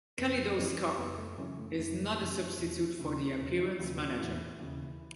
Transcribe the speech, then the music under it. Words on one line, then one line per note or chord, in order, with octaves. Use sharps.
Kaleidoscope is not a substitute for the Appearance Manager.
F#1 B3 B4
F#2 E3 C#4 C#5
F#1 B3 B4
A3 A4
F#2 C#3 E3 C#4
A3
F#1 A3
F#2 E3
E1
D#2 C#3
E1 C#3 C#4
D#3 D#4
D#2 C#3 E3 E4
F#4
E1 E3 E4
D#2 C#3